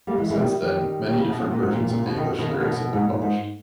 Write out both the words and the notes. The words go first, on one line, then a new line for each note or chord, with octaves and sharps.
Since then, many different versions of the English lyrics have been published.
G3 A#3
E3 G#3
E3 G#3
D#3 G3
D#3 G3
D#3 G3
C#3 E3
B2
B2
A#2
G#2
A#2
A#2
B2
B2 D#3
B2 D#3
C#3
B2 D#3
B2
G#2
A#2
G#2